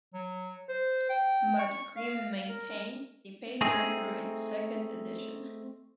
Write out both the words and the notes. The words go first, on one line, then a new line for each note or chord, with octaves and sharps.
Matt Griem maintained the paper through its second edition.
F#3
C5
G5
C#6
F5
A#4
A3 C4 D#4 G#4